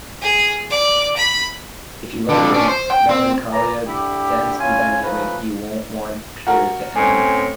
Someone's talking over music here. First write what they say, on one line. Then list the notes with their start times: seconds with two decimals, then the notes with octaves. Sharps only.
If you like your melancholia dense and dynamic, you won't want "Pure" to end.
0.22 G#4
0.70 D5
1.17 B5
2.29 F2 D3
2.54 C#4 D4
2.68 C5
2.91 G5
3.09 C4
3.51 B4 D5 G#5 A#5
3.85 D3 E4 G4
4.59 C#4 E4 F4 G#5
5.02 F3 A3 C#4 D#4 B4
6.47 F#4 A#4
6.96 A2 C4 C#4 G#5